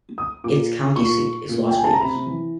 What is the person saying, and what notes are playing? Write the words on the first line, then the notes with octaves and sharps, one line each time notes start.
Its county seat is Las Vegas.
D#6
A#2 D6
A#2 C#6
A#2
G5
G#5
A5
A#5
C3 B5
E3